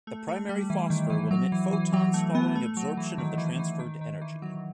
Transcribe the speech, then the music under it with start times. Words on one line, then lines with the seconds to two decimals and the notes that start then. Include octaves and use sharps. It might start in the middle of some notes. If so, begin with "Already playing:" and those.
The primary phosphor will emit photons following absorption of the transferred energy.
0.07 A3
0.28 A3
0.49 G3
0.70 E3
0.90 D#3
1.10 E3
1.31 F#3
1.52 E3
1.73 E3
1.94 F#3
2.14 A3
2.35 B3
2.55 A3
2.77 F#3
2.97 E3
3.18 D#3
3.38 E3
3.59 E3
3.79 D#3
4.01 D#3
4.22 E3
4.42 F#3